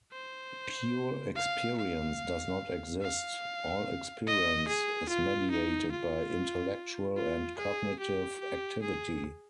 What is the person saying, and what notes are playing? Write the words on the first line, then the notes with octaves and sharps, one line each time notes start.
"Pure experience" does not exist; all experience is mediated by intellectual and cognitive activity.
C5
F5
F5
F5
D#5
G#4
F4
D#4
F4
F4
G#4
G4
G4
G#4